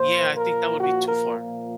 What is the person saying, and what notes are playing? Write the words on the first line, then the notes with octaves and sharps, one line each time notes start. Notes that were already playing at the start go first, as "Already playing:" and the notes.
Yeah, I think that would be too far.
Already playing: A#2 F3 A#3 C5
A#4
F#4
A#4